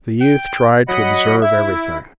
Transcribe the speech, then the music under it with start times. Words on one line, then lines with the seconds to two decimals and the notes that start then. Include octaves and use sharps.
The youth tried to observe everything.
0.21 G5
0.88 F#3 D#5 F#5 B5
1.42 E4 E5